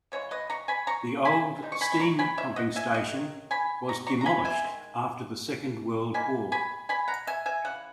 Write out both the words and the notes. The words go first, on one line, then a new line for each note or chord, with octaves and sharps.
The old steam pumping station was demolished after the Second World War.
C#3 E3 G#3 C#5
B4 D#5
A#5 C#6
G#5 B5
A#5 C#6
G#5 B5
B2 G#3 D#4
C#6
G#5 B5
B5
A#5 C#6
G#5 B5
C#5 E5
D#5 F#5
E5 G#5
D#5 F#5
D#3 F#3
G#5 B5
A#5 C#6
A#5 C#6
A#5
G#5 B5
E5 G#5
D#3 G#3
F#3 A#3 D#4 G#5 B5
G#5 B5
G#5 B5
F#5 A#5
E5 G#5
E5 G#5
C#3 E3 F#5